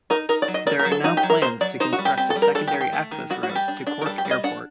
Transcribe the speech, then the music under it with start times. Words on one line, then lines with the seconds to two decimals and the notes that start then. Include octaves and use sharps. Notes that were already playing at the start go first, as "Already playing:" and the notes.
There are now plans to construct a secondary access route to Cork Airport.
0.10 D#4 A#4
0.29 D#4 A#4
0.42 D5
0.48 F#3
0.54 D#5
0.67 A#3 D5
0.79 A#4
0.85 F#3
0.92 A4
1.04 D#4 F#4
1.17 G4
1.23 F#3
1.30 A#4
1.42 A#3 C5
1.61 F#3 D5
1.80 D#4 C5
1.93 F#4
1.99 G3
2.05 G4
2.18 C4 G4
2.30 A4
2.36 G3
2.42 A#4
2.55 D4 A4
2.67 G4
2.73 D#3
2.81 G4
2.93 A3
3.11 D#3
3.30 G3 F#4
3.43 F#4
3.49 G3
3.55 G4
3.68 D4
3.87 D4
4.02 A#4
4.06 G3 A4
4.18 G4
4.25 G3
4.31 D#5
4.44 D4 F#5